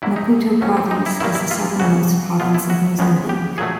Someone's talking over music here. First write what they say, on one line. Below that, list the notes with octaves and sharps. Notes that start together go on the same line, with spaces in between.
Maputo Province is the southernmost province of Mozambique.
G2 D3 F#3 A#3 E4
D#4
F2 C#3 F#3 A3 C#4
C4
D#4
E4
G2 D#3 G3 A#3 E4
E4
F4
F2 C#3 E3 F#4
B2 G#3 B3 F4
E4
F#4
C#2 C#3 F3 G#3 B3
G4
A#2 F#3 A3 G#4